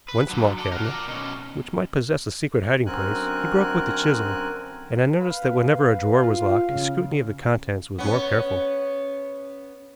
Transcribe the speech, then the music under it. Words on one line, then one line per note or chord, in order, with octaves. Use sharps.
One small cabinet, which might possess a secret hiding-place, he broke with the chisel, and I noticed that whenever a drawer was locked his scrutiny of the contents was more careful.
B4
D3 F#3
A4 D5
F#4 A#4
A#4 D5
B2 C#4
F#2 D3 C4 A#4 G#5 F#6
B4 F5
F4
C#3
B3 C#4